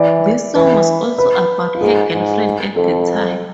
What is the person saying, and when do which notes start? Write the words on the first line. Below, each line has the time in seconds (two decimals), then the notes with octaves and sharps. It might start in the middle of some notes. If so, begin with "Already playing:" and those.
This song was also about her girlfriend at the time.
Already playing: E3 D5
0.55 E3 B4
1.18 B4
1.75 F4
1.81 G#2 G#4
2.13 G#2
2.76 F2 A4